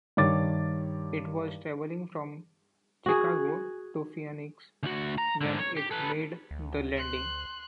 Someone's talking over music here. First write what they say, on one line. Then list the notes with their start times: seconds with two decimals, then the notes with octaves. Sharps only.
It was traveling from Chicago to Phoenix when it made the landing.
0.17 G2 D#3 C#5 D6 A6
3.06 F#4 G#4
4.83 D2 F#4
5.18 A#5
5.41 G#2 D3
5.59 C#5
5.77 G4
5.91 A4 B4
6.51 D2
6.96 C6 F#6